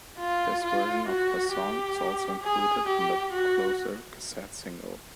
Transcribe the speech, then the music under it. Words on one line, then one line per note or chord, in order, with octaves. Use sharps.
This version of the song is also included on the "Closer" cassette single.
F4
F4
F#4
G4
G#4
G4
F#4